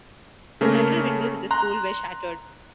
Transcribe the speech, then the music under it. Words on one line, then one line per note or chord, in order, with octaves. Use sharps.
Several windows at the school were shattered.
C#3 A3 A#3 C#4 A#4
A#5 C6 F#6